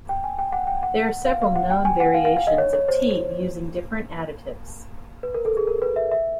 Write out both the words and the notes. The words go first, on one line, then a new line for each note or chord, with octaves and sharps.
There are several known variations of tea using different additives.
G5
G#5
G5
F#5
G5
F#5
F5
F5
F#5
G5
G#5
F#5
F5
F5
F5
D#5
C#5
C#5
C5
B4
A#4
A4
G#4
A#4
B4
E5
E5